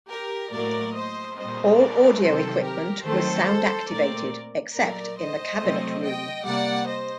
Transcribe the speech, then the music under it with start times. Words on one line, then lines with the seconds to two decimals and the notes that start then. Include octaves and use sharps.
All audio equipment was sound-activated, except in the Cabinet Room.
0.10 G4 A#4
0.53 A2 F#3 A#3 A#4 D5
0.95 C5 D#5
1.37 A#2 G3 C4 C5 D#5
1.80 A#4 D5
2.21 C3 D#3 F#3 C4 A4 C5
2.64 G4 A#4
3.06 D#3 F#3 A3 C4 A4 C5
3.91 A#2 A3 C4 A#4 D5
4.76 A#2 F#3 A3 A#4 D5
5.18 C5 D#5
5.60 C3 F#3 A3 C4
6.03 D#5 G5
6.45 C3 G3 A#3 D5 F#5
6.87 C5 D#5